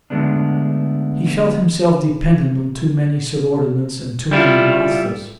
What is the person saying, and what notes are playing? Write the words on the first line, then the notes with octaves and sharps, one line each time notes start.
He felt himself dependent on too many subordinates and too many masters.
D3 G#3 A3 B3 D4
G3 E4 F4